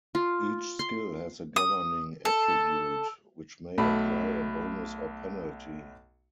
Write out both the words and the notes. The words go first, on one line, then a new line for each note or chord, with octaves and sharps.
Each skill has a governing attribute, which may apply a bonus or penalty.
F4
C6
D#6
A4
B1 A3 B5